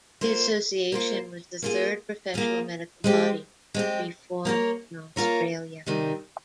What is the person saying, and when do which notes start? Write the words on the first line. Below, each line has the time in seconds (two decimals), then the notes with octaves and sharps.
The Association was the third professional medical body to be formed in Australia.
0.21 A#3 F4 C5
0.92 A#3 F4 C5
1.62 A#3 F4 G#4
2.34 A#3 F4 G#4
3.04 G#3 C4 G4
3.74 G#3 C4 G4
4.45 A#3 F4 A#4 C#5
5.16 A#3 F4 A#4 C#5
5.86 C3 D#3 G3